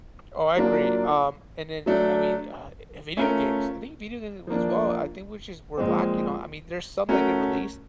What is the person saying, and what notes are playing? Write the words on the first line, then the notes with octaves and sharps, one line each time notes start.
Oh, I agree, um, and then, I mean, uh, eh, video games, I think video gaming, as well. I think we're just we're lacking on I mean, there's some that get released,
F#3 A#3 D4 F4
F#3 A3 D4
A3 C#4 F4 A#4
F3 A#3 D4
A#2 F3 G#3 C4
A3 C#4 F#4 A#4